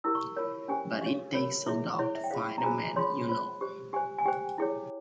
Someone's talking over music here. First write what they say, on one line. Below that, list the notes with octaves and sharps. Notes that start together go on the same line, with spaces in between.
But it takes a dog to find a man, you know.
E4 G4 A#4 E6
C#6
F4 A#4 C#5
C#4 G4 C5 G#5
G4 C#5 F5
F4 A#4 C#5
E4 G#4 C#5 E5
E4 G#4 C5 C#5
E5
G5
F4 G#4 C5 F5
A#5
F4 G#4 C5 G#5
F4 G#4 C#5 C6
F4 C5
G4 C5
G4 C5 G#5
G#5
G4 C5 G5
E4 G#4 C#5